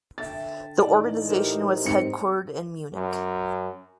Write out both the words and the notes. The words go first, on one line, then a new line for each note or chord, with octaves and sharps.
The organisation was headquartered in Munich.
D3 E5 G5 A6
A2 E3 D#4 D5
G4 A#4 C5
G#2 C4 C#7
F#2